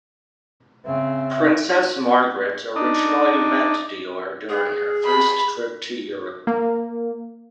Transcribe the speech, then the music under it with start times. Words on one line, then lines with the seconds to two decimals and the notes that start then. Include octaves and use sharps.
Princess Margret originally met Dior during her first trip to Europe.
0.86 C#3 C4 E5
2.76 D4 D#4
4.49 G#4
5.05 B5
6.47 A#3